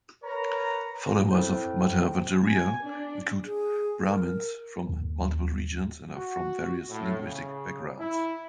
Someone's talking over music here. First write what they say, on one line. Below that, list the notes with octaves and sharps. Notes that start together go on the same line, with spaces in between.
Followers of Madhvacharya include Brahmins from multiple regions and are from various linguistic backgrounds.
A#4 B4 C#5 A#5
C4 E4 A4 C5
G#5
D4
G#4
A#4
D#2
F#4
A2
C#3
E4